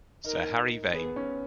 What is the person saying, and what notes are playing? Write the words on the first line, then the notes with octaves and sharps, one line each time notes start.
Sir Harry Vane!
D#4 A#4
B3 G#4
B3
C#4